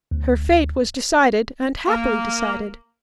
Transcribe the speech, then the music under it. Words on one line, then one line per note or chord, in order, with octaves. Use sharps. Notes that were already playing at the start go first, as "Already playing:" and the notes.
Her fate was decided and happily decided.
D2
A#3